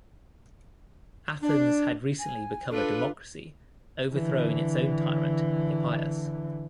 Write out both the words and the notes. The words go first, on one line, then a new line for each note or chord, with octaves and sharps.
Athens had recently become a democracy, overthrowing its own tyrant Hippias.
D4
G#5
D4 F4 A4 B4
D3 E3